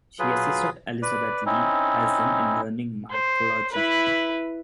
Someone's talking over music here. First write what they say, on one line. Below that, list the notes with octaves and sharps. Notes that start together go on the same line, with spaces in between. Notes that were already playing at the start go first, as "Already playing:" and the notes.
She assisted Elizabeth Lee Hazen in learning mycology.
F#3 F4 G#4 B4
B4 D5
C4 C#4 D#4 E4
C5
E4 B4